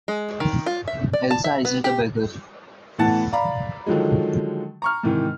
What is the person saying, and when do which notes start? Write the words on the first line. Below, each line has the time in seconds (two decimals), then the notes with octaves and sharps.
Elsa isn't a beggar!
0.08 G#3
0.40 D#3
0.66 F4
0.88 E5
1.13 D5
1.31 A5
1.44 E5
1.65 B3
1.84 G4
2.98 A2 E3 B3 F#5 A5 A6
3.33 D5 F5 A#5 B5
3.86 D3 D#3 F3 F#3 G#3
4.82 A#5 C#6 F6
5.03 G#2 C3 D#3 E3